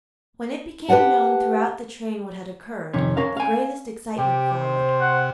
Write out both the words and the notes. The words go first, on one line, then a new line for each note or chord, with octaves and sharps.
When it became known throughout the train what had occurred, the greatest excitement followed.
G4 B4 D5 F#5 A5
F2 C3 D#3 C#4
C#4 A#4 F5
F5 G#5
C3 G4
C5
F#5